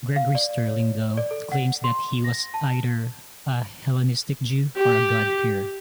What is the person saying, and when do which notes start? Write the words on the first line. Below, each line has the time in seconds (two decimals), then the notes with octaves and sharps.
Gregory Sterling though, claims that he was either a Hellenistic Jew or a god-fearer.
0.16 F5
0.35 D5
0.67 C#5
1.17 D5
1.31 A4
1.52 F#5
1.84 C6
2.24 A#6
2.54 A5
4.78 G4